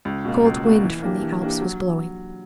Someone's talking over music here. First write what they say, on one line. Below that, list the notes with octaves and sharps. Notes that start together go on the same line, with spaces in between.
A cold wind from the Alps was blowing.
C#2
B2 A#3
C#2
B2 A#3
E3
A#3 D4 G4
E3
A#3 D4 G4
F#3